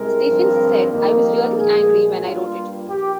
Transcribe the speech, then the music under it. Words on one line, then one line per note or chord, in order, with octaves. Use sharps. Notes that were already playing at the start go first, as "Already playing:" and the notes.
Stephens said I was really angry when I wrote it.
Already playing: C2 C3 G#3 A#4
G#1 G2 F3 C4
F2 D#3 G3 A#3
A#4
A#1 A#2 F3 G#3 G#4
G2 G3 A#3 F4
A#1 G4